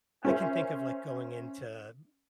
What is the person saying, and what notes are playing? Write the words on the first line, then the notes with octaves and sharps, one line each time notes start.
I can think of, like, going into
C#4 A#4 C5 E5